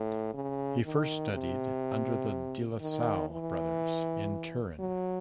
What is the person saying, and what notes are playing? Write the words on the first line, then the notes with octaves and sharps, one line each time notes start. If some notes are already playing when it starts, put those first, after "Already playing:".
He first studied under the De La Salle Brothers in Turin.
Already playing: A2
C#3
D#3
C3
D#3
E3
F#3